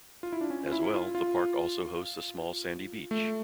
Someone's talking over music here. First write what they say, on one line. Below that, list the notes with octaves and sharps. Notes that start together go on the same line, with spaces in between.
As well, the park also hosts a small sandy beach.
F4
E4
D4
C#4
F4
E4
F4
F4
A3